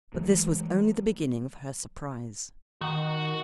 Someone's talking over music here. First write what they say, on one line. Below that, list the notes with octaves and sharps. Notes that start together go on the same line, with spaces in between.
But this was only the beginning of her surprise.
E3 F#3 G#3 A3
D#3 F#4 F#5